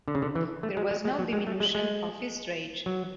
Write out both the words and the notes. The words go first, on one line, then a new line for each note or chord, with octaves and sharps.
There was no diminution of his rage.
D3
C#3
D3
E3
A3
G#3
G#3
G#3
F#3
G#3
A3
G#3
G#3
F#3